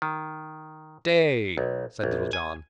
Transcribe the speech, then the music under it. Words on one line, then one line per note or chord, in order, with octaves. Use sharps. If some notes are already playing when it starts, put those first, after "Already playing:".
"Stay!" said Little John.
D#3
B1
A#1
G#5